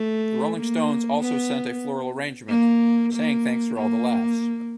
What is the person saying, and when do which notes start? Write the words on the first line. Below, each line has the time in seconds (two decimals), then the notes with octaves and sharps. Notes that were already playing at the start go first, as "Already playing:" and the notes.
The Rolling Stones also sent a floral arrangement, saying "Thanks for all the laughs".
Already playing: A3
0.56 A#3
1.20 B3
2.48 A#3
3.12 A#3
3.76 A#3